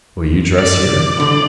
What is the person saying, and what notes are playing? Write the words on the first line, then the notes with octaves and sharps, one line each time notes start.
"Will you dress here?"
D5
C2 D3